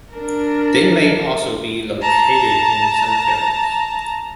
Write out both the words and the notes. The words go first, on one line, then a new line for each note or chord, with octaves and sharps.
They may also be located in cemeteries.
D4 A#4
A5 A#5